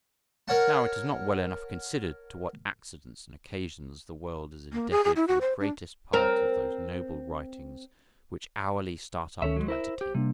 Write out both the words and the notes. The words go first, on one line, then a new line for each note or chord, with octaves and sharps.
Now it is not well enough considered to what accidents and occasions the world is indebted for the greatest part of those noble writings which hourly start up to entertain it.
A#4 C#5 F#5 A5
A#3
G#4
G#4
E4
F#4
C5
D4
C4 A#4
D2 D#3 C#4 A4 C#5 E5
F#3 G#3
E4 A#4 C5 E5
G4
C3 G3 A#3 D4